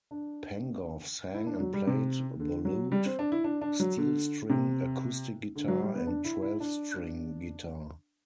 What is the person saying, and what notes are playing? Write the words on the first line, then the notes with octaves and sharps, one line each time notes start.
Pengov sang and played the lute, steel-string acoustic guitar and twelve-string guitar.
D4
E4
D4
F#3
G3
C3
D3
F#3
G3
C4
D4
E4
D4
D4
F#3
D3
C3
D3
F#3
G3
B3
D4
E4
E4
D4